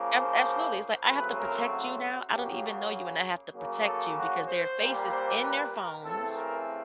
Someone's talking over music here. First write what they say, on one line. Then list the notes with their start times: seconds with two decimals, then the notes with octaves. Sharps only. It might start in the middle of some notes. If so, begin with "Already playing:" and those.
Ab absolutely, it's like, "I have to protect you now, I don't even know you, and I have to protect you because their faces in their phones"
Already playing: C#3 F3 A#3
0.13 C5
1.06 C#3 F#3 A3 C4 B4
1.37 A#4
1.69 F#4
2.00 F#4
2.31 C#3 F#3 A#3 G4
3.55 C#3 F#3 A#3
3.86 A4
4.17 F#4
4.48 C5
4.80 A#2 G3 A#3
5.11 C5
5.42 B4
5.73 A#4
6.04 C#3 E3 A3 C4 A4
6.35 A#4